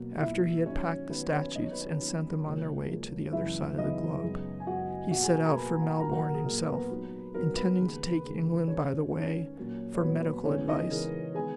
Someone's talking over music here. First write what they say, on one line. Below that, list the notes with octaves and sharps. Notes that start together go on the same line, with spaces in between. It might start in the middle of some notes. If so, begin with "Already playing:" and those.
After he had packed the statues, and sent them on their way to the other side of the globe, he set out for Melbourne himself, intending to take England by the way for medical advice.
Already playing: B2 F#3 A#3
B2 F#3 A#3 E4 E5
G#2 D#3 F#3 C#4 C#5
G#2 D#3 F#3 B3 B4
C#4 C#5
D#2 D#3 F#3 B3 D#5
C#5
B4
C#4 C#5
D#2 D#3 F#3 B3
C#2 C#3 F#3 A#3
C#2 C#3 F#3 A#3
F#2 C#3 E3 G#3 B3 E4 E5
F#2 C#3 E3 G#3 B3 D#4 D#5
F#2 C#3 G#3 B3
G#5
F#2 C#3 G#3 B3 F#4 F#5
B2 A#3 F#4 F#5
G#4 G#5
G#4 G#5
A#4 A#5
B2 A#3 B4 B5
F#5
G#5
A#2 F#3 A#3 A#4 A#5
F#4 F#5
A#4
G#4
A#2 F#3 A#3 A#4
B3 B4
G#2 F#3 B3
G#2 F#3 B3 A#4
B3 B4
D#2 C#3 G#3
D#2 C#3 G#3
G#2 D#3 G#3 C#4 C#5
G#2 D#3 G#3 C#4 C#5
A#2 F#3 A#3
C#5
A#2 F#3 A#3 B3 B4
E2 C#3 E3 G#3 B3 C#4 C#5
D#4 D#5
E2 C#3 E3 G#3 B3 A#4
D#3 G#3 B3 G#4 G#5